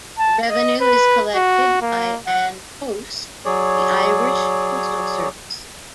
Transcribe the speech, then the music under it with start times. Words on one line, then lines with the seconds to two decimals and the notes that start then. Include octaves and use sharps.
Revenue is collected by An Post, the Irish postal service.
0.18 A5
0.50 D#5
0.81 B4
1.35 F#4
1.82 A#3
2.27 F#5
3.45 F#3 G#4 C#5 D5